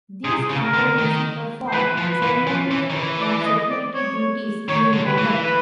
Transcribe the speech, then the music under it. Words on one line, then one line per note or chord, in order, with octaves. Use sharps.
These companies perform ceremonial and security duties in London.
C3 G#4
C#3
A#4
D3
D#3
C5
E3 B4
F3
B4
E3
F3
E3
D#3
E3
D5
D#5
D5
C#5
D#3 C#5
D3
B4
E3
B4